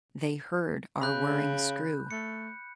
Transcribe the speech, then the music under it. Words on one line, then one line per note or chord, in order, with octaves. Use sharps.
They heard our whirring screw.
C#3 B5 F#6 G6
A3 C#7